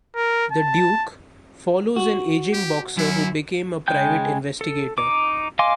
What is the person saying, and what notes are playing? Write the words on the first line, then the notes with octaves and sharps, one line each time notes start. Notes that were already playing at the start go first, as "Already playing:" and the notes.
"The Duke" follows an aging boxer who became a private investigator.
A#4
A5
F#4
G4
F#2 E4
C#3 G#3 G5 G6
A4
D#4 D6
D#5 F5 G#5 C6 D6